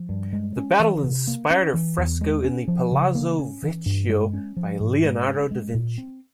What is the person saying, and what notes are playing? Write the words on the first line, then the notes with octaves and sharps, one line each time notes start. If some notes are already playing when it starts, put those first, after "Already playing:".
The battle inspired a fresco in the Palazzo Vecchio by Leonardo da Vinci.
Already playing: F3
G2
G#3
C#4
E3
C3
A#3
C#4
E3
E2
G#3
C#4
F3
C#3
A#3
C#4
E3
G2
G#3
C#4
F3
G#2
G#3
C#4
G#3
A#2
C4